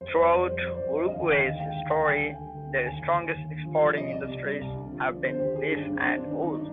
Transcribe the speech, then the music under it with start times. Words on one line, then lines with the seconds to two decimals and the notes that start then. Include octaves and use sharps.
Throughout Uruguay's history, their strongest exporting industries have been beef and wool.
0.01 F2 C5
0.16 G3 D5
0.32 F2 C5
0.48 G3 C5
0.65 F2 D5
0.72 C5
0.81 F2
0.96 D3 D#5
1.08 D#5
1.11 D#2 F5
1.22 G5
1.28 D3 F5
1.39 D#5
1.43 D#2 F5
1.60 G#3 G5
1.75 D#2 F5
1.91 D2 G5
2.06 G3 G#5
2.15 G5
2.23 D2
2.38 D2
2.54 D2
2.71 D2
2.86 D#2 G#5
3.02 D#2
3.18 D#2
3.34 D#2
3.50 D3
3.65 F3
3.82 G3
3.97 C3 D#5
4.13 C2 D5
4.29 C3
4.45 G3
4.61 C2
4.76 D3
4.92 F3
5.08 D3
5.24 D3 C5
5.39 D#2 G4
5.55 D3 G#4
5.71 G2 D4
5.84 G2 D4
5.96 C4
6.03 G2 D4
6.19 D#3 C4
6.31 G2 D4
6.42 D#4
6.51 G3 D4